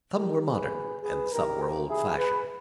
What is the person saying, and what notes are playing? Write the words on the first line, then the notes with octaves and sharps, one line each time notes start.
Some were modern and some were old-fashioned.
E2 C#3 E3 G4 A#4
G#4 B4
B1 A#2
G#4 B4
E2 D#3 G4 A#4
D#2 C#3 E3 E4 G#4
G#4 B4